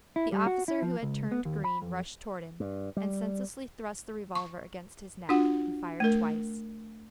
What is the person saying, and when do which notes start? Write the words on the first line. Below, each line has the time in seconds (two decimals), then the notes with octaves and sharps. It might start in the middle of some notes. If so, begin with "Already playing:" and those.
The officer, who had turned green, rushed toward him, and senselessly thrust the revolver against his neck, and fired twice.
0.16 E4
0.32 G3
0.47 F#4
0.68 E4
0.82 F3
1.03 C#2
1.32 B3
1.45 D#2
1.64 B5
1.82 F2
2.60 G2
2.97 G3
4.35 C#6
5.29 D4 F4 F#4 F#5
6.00 A3 A#4